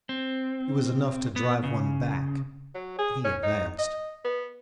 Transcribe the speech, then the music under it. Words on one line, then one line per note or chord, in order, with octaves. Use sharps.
It was enough to drive one back: he advanced.
C4
B3
C#3
F#3
G#4
C#4
D#4
D#5
B3